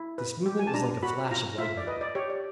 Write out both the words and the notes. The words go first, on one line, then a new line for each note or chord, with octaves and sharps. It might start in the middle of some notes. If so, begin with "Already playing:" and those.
This movement was like a flash of lightning.
Already playing: E4
B4
G4
G#5
A5
D4 A#5
F#4 B5
F4 A#5
F4 E5
D5
B4 D#5
D5
G4 C#5
D5